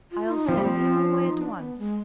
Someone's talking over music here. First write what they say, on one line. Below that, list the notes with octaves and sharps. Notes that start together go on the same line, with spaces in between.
I'll send him away at once.
F4
D#4
F3 C4
G3
F3
D4
D#4
D4
B3
G#3